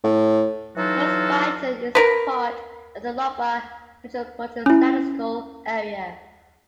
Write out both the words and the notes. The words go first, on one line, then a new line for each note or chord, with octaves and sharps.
Crosbyton is part of the Lubbock Metropolitan Statistical Area.
A2
E3 F#3 D#4 F4 F#4 A4
A#4 B4
C#4 E4